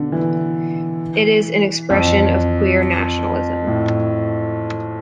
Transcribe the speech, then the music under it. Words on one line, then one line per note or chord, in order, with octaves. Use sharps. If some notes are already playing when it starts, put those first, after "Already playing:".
It is an expression of queer nationalism.
Already playing: B2 D3
E3
F2
A2